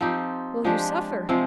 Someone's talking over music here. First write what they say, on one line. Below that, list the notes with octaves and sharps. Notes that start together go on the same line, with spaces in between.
"Will you suffer?"
F3 C4 D#4 G4
F3 G#3 D4 G4
C3 F3 G#3 C4